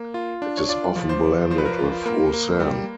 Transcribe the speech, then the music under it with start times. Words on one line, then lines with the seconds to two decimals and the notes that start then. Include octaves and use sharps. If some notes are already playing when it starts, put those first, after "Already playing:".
It is often blended with Roussanne.
Already playing: A#3
0.14 F4
0.42 D4
0.57 C#5
0.69 F4 D5
0.96 F3
1.09 C5
1.23 F3
1.50 F3 C5
1.58 B4
1.65 A#4
1.72 B4
1.79 F4
2.06 A#3
2.33 A#3
2.60 G3